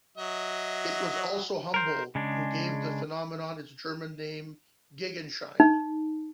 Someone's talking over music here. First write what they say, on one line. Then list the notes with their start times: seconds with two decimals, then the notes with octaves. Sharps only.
It was also Humboldt who gave the phenomenon its German name Gegenschein.
0.18 F#3 D#5 E5
1.74 A#4 C5
2.15 C#3 G#3 D4
5.60 D#4